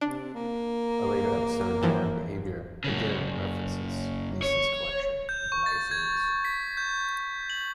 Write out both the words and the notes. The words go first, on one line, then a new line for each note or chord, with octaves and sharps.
A later episode, "Dad Behavior", again references Lisa's collection of the magazines.
C3 D4
A#3
G2 E3 F3
F#2 C#3
C#5
G6
C#6
A6
G#6
B6
G6
F#7